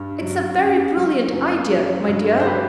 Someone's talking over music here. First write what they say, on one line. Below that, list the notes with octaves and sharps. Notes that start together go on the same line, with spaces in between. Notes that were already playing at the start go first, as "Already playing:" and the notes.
It's a very brilliant idea, my dear!
Already playing: G2
F#3
F#2
F#3
F#2
F#3
G2
C5
F#3 G4 B4